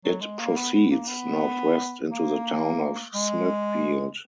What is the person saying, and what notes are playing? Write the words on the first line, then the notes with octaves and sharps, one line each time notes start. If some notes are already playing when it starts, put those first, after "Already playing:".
It proceeds northwest into the town of Smithfield.
F#3
G#3
A#3
B3
B3
A#3
B3
A#3
G#3